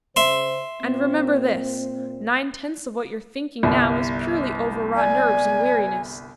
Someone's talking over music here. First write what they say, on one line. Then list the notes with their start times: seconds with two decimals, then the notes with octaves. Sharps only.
And remember this--nine-tenths of what you're thinking now is purely over-wrought nerves and weariness.
0.16 C#3 C5 E5 C6
0.82 A#2 A#3 C4
3.63 G1 C2
4.96 D5 G#5